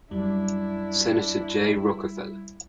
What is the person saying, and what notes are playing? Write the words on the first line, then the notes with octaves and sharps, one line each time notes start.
Senator, Jay Rockefeller.
F#2 G3 D4 E4